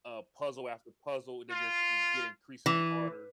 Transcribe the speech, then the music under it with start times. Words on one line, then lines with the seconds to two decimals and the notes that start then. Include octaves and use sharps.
a puzzle after puzzle, they just i get increasingly harder-
1.51 F4
2.66 E3